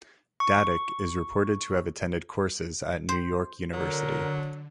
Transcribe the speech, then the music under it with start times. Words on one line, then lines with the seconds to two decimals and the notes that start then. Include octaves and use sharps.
Dadak is reported to have attended courses at New York University.
0.40 C#6
3.09 C5
3.74 D3 F#3 A#4